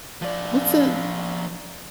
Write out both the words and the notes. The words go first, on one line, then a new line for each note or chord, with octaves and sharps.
what's a
F3 D5